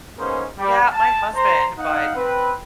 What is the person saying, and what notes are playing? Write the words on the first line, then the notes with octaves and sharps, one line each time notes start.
Yeah, my husband, but
A#3 B3 C#4 D#4 G#4 C5
G3
A5
C5 A#5 C6
D#4 F5 F#5
C4 B4